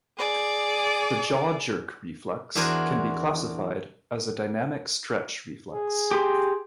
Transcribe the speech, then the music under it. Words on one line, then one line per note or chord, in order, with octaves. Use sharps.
The jaw jerk reflex can be classified as a dynamic stretch reflex.
G#4 D5
E2 D4 F#4 A#4 C5 G#5
G#4
G4 C6